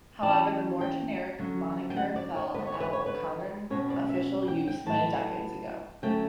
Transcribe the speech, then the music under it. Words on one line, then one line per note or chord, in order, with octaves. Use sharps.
However, the more generic moniker fell out of common official use many decades ago.
E3 G3 C#4 A5
G5
D3 F#3 C#4
G5
F#5
D5
C#5
D3 G3 B3 B4
C#5
B4
C#5
B4
B2 G3 C#4 C#5
D5
E5
G5
G5
A2 F#3 B3 A5
D3 F#3 A3 C#4 G5